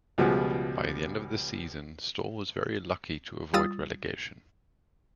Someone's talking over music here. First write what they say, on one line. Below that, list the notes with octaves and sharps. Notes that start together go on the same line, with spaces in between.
By the end of the season, Stal was very lucky to avoid relegation.
C#2 B2 F3 G3 G#4 F#5
G3 F4 D#6 E6 A6